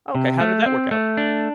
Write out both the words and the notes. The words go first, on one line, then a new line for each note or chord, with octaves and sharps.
Okay, how did that work out?
C3
A3
C4
A3
D4